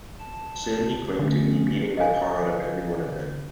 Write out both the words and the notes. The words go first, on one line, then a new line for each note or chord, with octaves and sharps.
Soon he claimed to be beating the tar out of every one of them.
A5
D3 A3 B3 C#4
D#5 F5 G#5